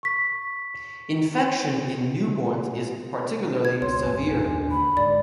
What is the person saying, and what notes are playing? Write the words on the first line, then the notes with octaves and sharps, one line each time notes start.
Infection in newborns is particularly severe.
C#6 B6
G#6
C#2 C#5 C6
A#1 F#2 A2 G#5
D#2 A#3 D4
D2 B5
G1 G#2 D5